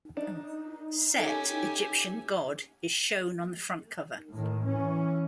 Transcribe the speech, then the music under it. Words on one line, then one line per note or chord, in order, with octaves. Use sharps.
Set, Egyptian god, is shown on the front cover.
D4 D#4
C#4 G4 A4 E5 G#5
A2 D#3
E3 C#4